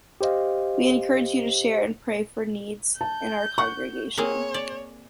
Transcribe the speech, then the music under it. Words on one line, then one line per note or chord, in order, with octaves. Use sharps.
We encourage you to share and pray for needs in our congregation.
G4 C5 D#5 F5
A5 G6
F#5 C#6
A#3 C4 G#4 C#5
D5